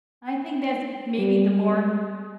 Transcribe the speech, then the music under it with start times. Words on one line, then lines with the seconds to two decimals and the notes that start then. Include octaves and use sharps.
I think that's maybe the more
1.18 G3